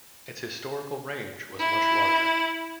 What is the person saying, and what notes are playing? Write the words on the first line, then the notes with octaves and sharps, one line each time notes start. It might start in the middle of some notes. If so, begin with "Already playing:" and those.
Its historical range was much larger.
E4